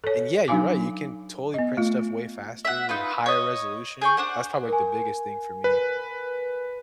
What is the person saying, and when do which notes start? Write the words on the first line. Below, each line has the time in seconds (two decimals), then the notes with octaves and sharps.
and yeah, you're right, you can totally print stuff way faster with higher resolution. That's probably, like, the biggest thing for me,
0.04 A4 C#5
0.48 F#3 D4 D#4 F5 G#5 D6
1.54 B3 D#5
1.77 A3 F4
2.65 E5 F#5
2.89 D#4 F4 B4
3.26 C#5 D#5
4.01 G#4 G5 C#6
4.17 D4 C5 F#5
4.69 A#4 G#5
5.64 B4